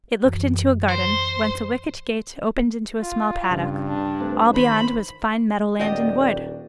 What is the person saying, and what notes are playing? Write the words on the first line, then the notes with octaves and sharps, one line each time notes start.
It looked into a garden, whence a wicket-gate opened into a small paddock; all beyond, was fine meadow-land and wood.
F#2 E3
C5
F4
G2 C#3
D4
A3 C4 B4
D#3 C5 B5
D#1 D4 F#4 G4 D5 D#5